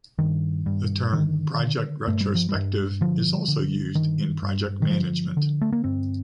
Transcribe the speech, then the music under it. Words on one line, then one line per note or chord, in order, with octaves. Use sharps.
The term project retrospective is also used in project management.
G2 D#3
G2
D3 D#3
D3
G2 A3
G3
F3
G3
G2
D3 F3
D3
G2 D#3
G2
D#3
D3 F3
D3
A3
A#3
G2 C4